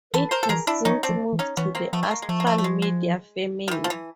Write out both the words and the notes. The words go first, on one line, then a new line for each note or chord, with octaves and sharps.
It has since moved to the Astral Media family.
E3 A4 B4
A#4 C5
A4
E3 G#4 A#4
D4 E4
F3 C#4 D#4
C4 D4
F3
E3
C#4 D#4
E3 B3 C#4
A#3 C4
F3 A3 B3
A3
A#3
G#3
F3 A3
A#3
A3
A3
G#3
G#3
D#3
E3
F3
E3